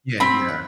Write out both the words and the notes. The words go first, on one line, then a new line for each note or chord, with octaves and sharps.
Yeah, yeah.
C4 B5